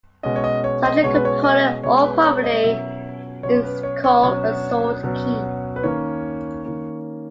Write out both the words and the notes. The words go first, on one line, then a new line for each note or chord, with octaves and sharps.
Such a component or property is called a sort key.
B2 G#3 C#4 D#5
C#5
D#5
C#5
D#5
B2 G#3 C#4 C#5
B4
C#5
D#5
B2 G#3 C#4 C#5
B4
C#5
D#5
B2 F#3 C#4 E5
B2 F#3 C#4 C#5
B4
C#5
C#5
B2 F#3 C#4 C#5
B2 F#3 C#4
B4
D#3 A#3 C#4 C#5
D#3 A#3 C#4